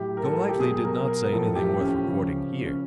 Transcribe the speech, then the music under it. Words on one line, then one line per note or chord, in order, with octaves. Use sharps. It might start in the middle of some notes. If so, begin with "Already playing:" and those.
Golightly did not say anything worth recording here.
Already playing: A2 F#3 G4
A#4
A4
G4
B2 F#3 G#4
A#4
A#4
A2 F3 A4
G4
C#4
C#3 F3
C#4